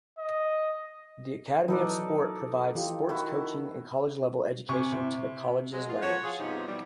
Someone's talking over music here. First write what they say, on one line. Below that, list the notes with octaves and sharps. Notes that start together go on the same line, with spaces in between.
The Academy of Sport provides sports coaching and college-level education to the college's learners.
D#5
E3 F#3 D#4 A4 B4 D5
E3 F4 G4
D#3 E4 F#4
C3 G#5 C#6
C3 E4
F#3 G#3
F3 B3 F4
F3 F#4 C#5
F4 G#4
G2 C3 F3 B3 D#4
B2 E3 G3